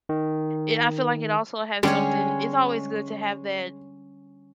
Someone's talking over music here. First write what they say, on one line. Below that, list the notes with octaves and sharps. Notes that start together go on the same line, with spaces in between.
Yeah, I feel like it also has something it's always good to have that
D#3
D3 G3 G#3 C#4 G#4 C#5